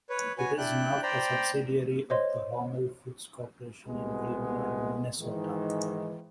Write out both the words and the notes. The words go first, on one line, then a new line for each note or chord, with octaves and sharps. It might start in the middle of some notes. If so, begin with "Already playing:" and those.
It is now a subsidiary of the Hormel Foods Corporation in Willmar, Minnesota.
B4 C#5
F#4 B4 C#5 G#5
D4 E4 G5 F#6
C5 D5 G5 A#5 B5
C5 C#5 D#5 C6
C2 B2 G#3 B3
G#2 D#3 E3